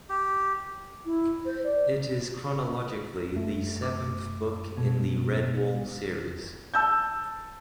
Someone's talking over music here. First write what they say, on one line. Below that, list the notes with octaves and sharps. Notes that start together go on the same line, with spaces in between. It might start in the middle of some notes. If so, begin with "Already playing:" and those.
It is chronologically the seventh book in the "Redwall" series.
G4
E4
C5
D5
F#2 A3
D6
B2 B3
A5 E6 G6